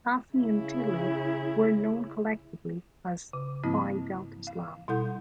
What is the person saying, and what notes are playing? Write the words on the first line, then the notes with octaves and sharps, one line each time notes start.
Sassi and Tilly were known collectively as Phi Delta Slam.
C#3 E4
C#3
G#2 F3 A#3 C4 E4
F5
B2 G3 E4 A4 F#5 G6